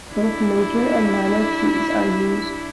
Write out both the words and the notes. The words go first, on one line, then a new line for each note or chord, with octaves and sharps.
Both major and minor keys are used.
D4 E4